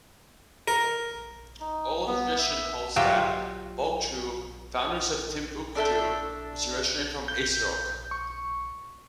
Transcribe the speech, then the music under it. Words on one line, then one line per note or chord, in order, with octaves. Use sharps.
Oral tradition holds that Boctou, foundress of Timbuktu, was originally from Essouk.
A#4
D#4
B3
E5
F#3 F4 G4 E5
D4 A4 E5 G6
G6
C#6